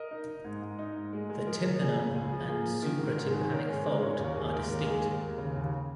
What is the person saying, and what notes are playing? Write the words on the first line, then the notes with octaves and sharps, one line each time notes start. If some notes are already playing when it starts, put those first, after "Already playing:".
The tympanum and supratympanic fold are distinct.
Already playing: A#4 D#5
D#4
D#4
G#2
G#2
D#4
G#2
G#3
G#3
F3 A#4
F3
A#3 G#4
C#3
C#2 G#4
F3
A#3 G#4
F3
D#3 A#4
G#2
A#4
G#2
G#4
D#3
C#4 A#4
G#2 G#4
G#2 A#4
C#4 G#4 C#5
D#2 A#4
D#2 G#4
G#3 A#4
D#2 A#4
G#3 G#4
D#2
A#4
D#2
C#3
D#2